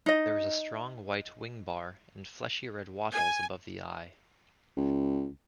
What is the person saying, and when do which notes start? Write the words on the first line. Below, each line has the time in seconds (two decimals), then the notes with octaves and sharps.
There is a strong white wingbar, and fleshy red wattles above the eye.
0.06 D#4 D#5
3.12 G#5
4.77 C#2